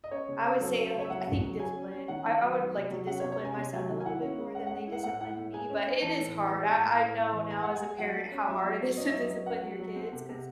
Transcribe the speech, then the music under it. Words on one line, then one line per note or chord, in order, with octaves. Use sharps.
I would say, like, I think discipline. I I would like to discipline my son a little bit more than they disciplined me, but it is hard. I I know now as a parent how hard it is to discipline your kids ‘cause
D#5
C#4 C#5
C#3
C#4
F#3 A4
A4
C#4
C5
C#3 C#5
E5
F#3 F#5
C#3
F#3
C#4 G#5
C#4
C#4
D#3 F#5
D#3
F#3
F#3
C3
F#3
C#4 F#5
C#5
C3
C#5
C#4 G#5
C3
F#3
D#3
G#5
E4 F#5
C#4
G#3
C#4 F#5
F#5
G#3
E4 F#5
A2 F#5
E4 F#5
A2
G#3 G#5
C#4
C#4
E3 A5
A2
E3
G#3
A2
A2
A2
A2
E3
G#3 G#5
G#3 F#5
G#5
G#3
F#3 F#5
A3
C#4
F#3 E5
F#3
F#3
C#4 D#5
E5
F#3
D#5
F#3
C#4 F#5
F#3
F#3
C4
C3
C3